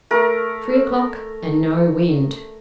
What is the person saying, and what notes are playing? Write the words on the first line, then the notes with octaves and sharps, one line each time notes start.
Three o'clock and no wind.
A3 A#4